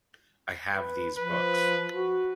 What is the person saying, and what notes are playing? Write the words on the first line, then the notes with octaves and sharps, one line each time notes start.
I have these books.
B4
F3 B4
F#4